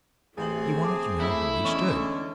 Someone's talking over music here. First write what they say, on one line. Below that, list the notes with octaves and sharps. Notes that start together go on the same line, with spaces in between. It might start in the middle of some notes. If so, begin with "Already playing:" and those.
He wanted to know how he stood.
A1 A3 C4 G#4 F#7
A5 D6
A3 E4
E2 D3 G#3 C#4 C#6